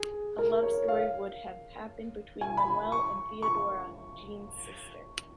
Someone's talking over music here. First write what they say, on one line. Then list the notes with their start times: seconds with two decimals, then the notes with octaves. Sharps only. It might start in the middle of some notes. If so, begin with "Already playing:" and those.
A love story would have happened between Manuel and Théodora, Jean’s sister.
Already playing: G#4
0.38 A#4
0.63 C#5
0.88 F5
2.41 G#5
2.57 B5
2.92 C#6
3.42 C#6